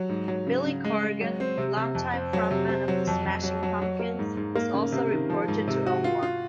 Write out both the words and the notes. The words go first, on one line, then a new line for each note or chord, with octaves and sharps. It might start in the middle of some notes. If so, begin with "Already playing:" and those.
Billy Corgan, longtime frontman of The Smashing Pumpkins, is also reported to own one.
Already playing: F#3
G#2
F#3
C#3
C#3
G#3
G#3
F#3
C4
C3
C3
F2
C4
F#3
C3
C4
F#3
F2
F2
F#3
F#3
F#3
A#3
G#2
G#2
A#3
C#3
C3
D#3
F3
G#2
C3
F#4
F4
F4